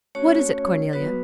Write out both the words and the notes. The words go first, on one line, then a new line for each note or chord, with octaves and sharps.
"What is it, Cornelia?"
A3 C#4 F#4 C#5
F#3 B3 F#4 B4